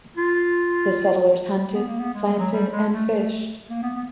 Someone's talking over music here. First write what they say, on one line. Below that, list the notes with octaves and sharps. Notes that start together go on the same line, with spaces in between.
The settlers hunted, planted and fished.
F4
B3
A#3
B3
G#3
G3
F#3
G3
G#3
A3
A#3
B3
B3